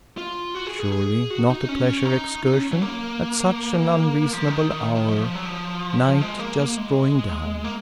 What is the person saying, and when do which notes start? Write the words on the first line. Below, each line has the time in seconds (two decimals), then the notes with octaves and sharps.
Surely, not a pleasure excursion, at such an unreasonable hour--night just drawing down?
0.18 F4
0.55 F#4
0.67 G#4
0.80 G#4
0.92 G#4
1.30 F#4
1.50 D#4
1.69 C#4
2.06 D#4
2.43 D#4
2.53 C#4
2.72 F#3
2.82 A#3
4.33 F3
4.51 D#3
4.70 D#3
4.95 D#3
5.08 F3
5.35 F#3
5.45 F3
6.21 G#3
6.39 A#3
6.59 A#3
6.77 G#3
7.64 A#3